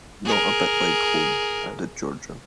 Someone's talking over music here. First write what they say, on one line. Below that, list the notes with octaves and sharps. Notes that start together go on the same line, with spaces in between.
"Not a bit like home," added Georgia.
G#4 A#4